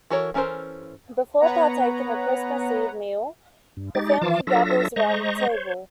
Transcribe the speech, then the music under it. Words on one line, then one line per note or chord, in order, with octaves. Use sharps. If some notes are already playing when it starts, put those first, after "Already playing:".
Before partaking of the Christmas Eve meal, the family gathers around the table.
E3 F#4 A4 A#4 C#5
E3 C#4 A4 A#4 C5
B3 B4 C#5 F#5 A#5
G2
G#3 D#4 G4 A6
E3 F3 F4 A5 D6
F#3 D4 F4 A4 E5 A#6
G#3 C5 D#5 A#5 C#6
C5 C#5